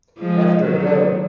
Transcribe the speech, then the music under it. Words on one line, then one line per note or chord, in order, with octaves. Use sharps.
After Go!
F3 G#3
D#3 F#3